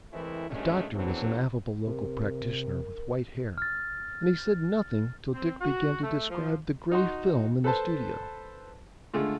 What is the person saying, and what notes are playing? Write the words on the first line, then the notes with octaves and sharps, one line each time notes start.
The doctor was an affable local practitioner with white hair, and he said nothing till Dick began to describe the gray film in the studio.
E3 G#3 A3 C4 E4 A#4
G2 A#2 D#3 G#3 A3 C#4
E2 A2 E3 F#3 C4 D4
C3 A#4
F6 A6
C4
F#4
A3
F3
D#4 F#4 C6
A4 B4 C5 A5
D3 G#3 A3 F4